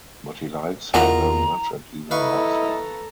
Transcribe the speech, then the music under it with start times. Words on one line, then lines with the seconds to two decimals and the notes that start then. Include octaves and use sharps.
But he likes her very much and even loves her.
0.94 E2 E3 F4 F#4 A#4 D#5 G#5 A#5
2.11 E4 A4 B4 D#5 F5 A#5 C#6